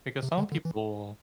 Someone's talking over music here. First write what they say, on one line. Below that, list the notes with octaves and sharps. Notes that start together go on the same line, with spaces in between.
because some people,
C3
D3
D3
E3